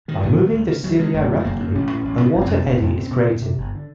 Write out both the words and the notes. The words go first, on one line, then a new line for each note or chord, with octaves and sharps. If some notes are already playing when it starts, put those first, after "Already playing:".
By moving their cilia rapidly, a water eddy is created.
A2 D#3
B1 D#3
A2
D2
C#3
D2 F#3
C#3 G#3
F#1 A3
F#2 C#3
A3
F#1 A#3
F#2 C#3
A1 C#4
A2
A1
A2
F#1
C4
F2 C3 C#4
B3
F#1 C4
F2 C3 C4
B3
D2 C4
C3 C4
D2
C3
G1
D3